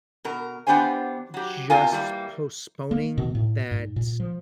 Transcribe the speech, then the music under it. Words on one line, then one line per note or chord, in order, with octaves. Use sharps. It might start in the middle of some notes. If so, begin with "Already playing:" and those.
just postponing that
B2 A#4
E2 B3 D4 G4 C5 G#5
F#3 G4
E2 C3 F4 A#4 G#5
E3 G3 A3 A#3
A#3
B2
A2
G#2
A#2
F3